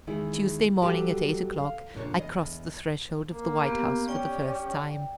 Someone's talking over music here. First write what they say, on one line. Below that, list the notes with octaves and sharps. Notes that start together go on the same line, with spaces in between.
Tuesday morning, at eight o'clock, I crossed the threshold of the White House for the first time.
E2 D#3 G#3 E4 G#4
F#3 G3 G4 A4 C5
F5
F2 A#2 C#3 D4 A4 C#5
E2 D#5
A#3
B3 G4
C#4 G4 D5 G5